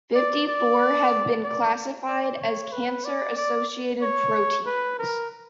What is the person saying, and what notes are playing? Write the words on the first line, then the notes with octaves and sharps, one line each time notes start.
Fifty-four have been classified as cancer associated proteins.
D5
D5
D5
D5
C#5
B4
D5
D5
C#5
B4
A#4